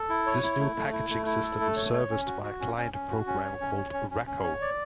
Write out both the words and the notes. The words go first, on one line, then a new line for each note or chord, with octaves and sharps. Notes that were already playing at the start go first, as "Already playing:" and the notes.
This new packaging system is serviced by a client program called raco.
Already playing: A4
E4
C#5
E4
A3
A3
E4
A3
E4
A4
A3
C#5
C#5
C#4
F#4
F#4
C#4
C#4
C#4
F#4
C#4
C#5
C#4
C#5
C#4
C#4
C#4
C#5
D5